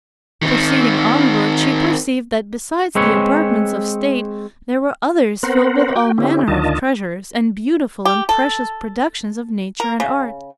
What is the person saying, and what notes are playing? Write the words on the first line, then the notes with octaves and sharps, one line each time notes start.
Proceeding onward, she perceived that besides the apartments of state there were others filled with all manner of treasures, and beautiful and precious productions of nature and art.
D#3 C4
G#3 C4 B4 C#5
B3 C4 A#4 C5 F#5
F#4 G5
D3 C4 C#4 E4 G4
D2 D#3 D4 F4 D#5 A5
G4
A4
A#4
C#3